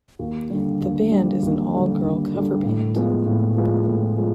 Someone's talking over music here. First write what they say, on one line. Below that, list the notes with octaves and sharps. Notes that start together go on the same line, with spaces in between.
The band is an all-girl cover band.
D#2
D3 G3
D#2
D3 G3
D#2
D3 G3
D#2
D3 G3
A2
F3 G#3 B3
A2
F3 G#3 B3
A2
F3 G#3